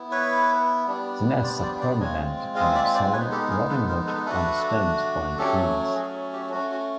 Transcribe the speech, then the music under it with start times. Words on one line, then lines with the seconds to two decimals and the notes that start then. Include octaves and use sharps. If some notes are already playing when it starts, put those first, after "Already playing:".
The nests are permanent and in soil, rotting wood, under stones, or in trees.
Already playing: B3 E4
0.11 B4 C#5
0.87 G3 B3 D4
1.43 C5 D5
1.62 C5 D5
1.81 C5 D5
2.00 G#3 C4 F4 C#5 D#5
2.56 D#5 F5
2.75 D5 E5
2.94 C5 D5
3.13 G#3 B3 D#4 B4 C#5
3.32 G4 A4
3.50 G#4 A#4
3.69 A4 B4
3.89 A#4 C5
4.07 A4 B4
4.26 A3 D4 F#4 A4 B4
5.38 F#3 A3 C#4 G4 A4
5.96 F#4 G#4
6.33 G4
6.51 A3 C#4 F#4
6.71 F#4